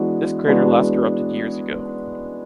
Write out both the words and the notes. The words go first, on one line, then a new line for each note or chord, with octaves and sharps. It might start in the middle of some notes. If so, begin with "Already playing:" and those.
This crater last erupted years ago.
Already playing: E3 G#3 B3 D4 F#4
E3 G#3 B3 D4 F#4